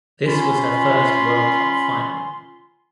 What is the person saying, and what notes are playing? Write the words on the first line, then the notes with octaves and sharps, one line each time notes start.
This was her first World Cup final.
C#4 F4 G#5 B5 C6